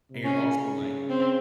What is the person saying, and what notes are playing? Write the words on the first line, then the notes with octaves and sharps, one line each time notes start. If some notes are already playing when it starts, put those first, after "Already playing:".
and you're also like"
C3
C#4
C#3
C4